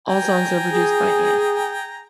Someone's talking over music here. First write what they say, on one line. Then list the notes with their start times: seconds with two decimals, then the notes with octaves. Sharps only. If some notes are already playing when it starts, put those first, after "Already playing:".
All songs are produced by Ant.
0.08 G5 G#5 A#5
0.72 G#4